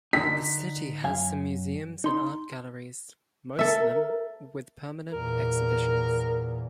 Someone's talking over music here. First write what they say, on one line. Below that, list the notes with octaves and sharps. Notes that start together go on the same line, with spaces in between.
The city has some museums and art galleries, most of them with permanent exhibitions.
D3 D4 D#4 B6
F#2 F5 G#5
D#4 C6
A4 A#4 E5
E2 A#2 A#4